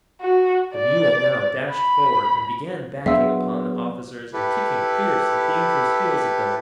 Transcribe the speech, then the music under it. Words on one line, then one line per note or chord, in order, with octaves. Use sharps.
The mule now dashed forward and began backing upon the officers and kicking fierce and dangerous heels at them.
F#4
D5
B5
F#3 B3 D4 G#4 E5 F5 C6 E6
E4 G4 A4 B4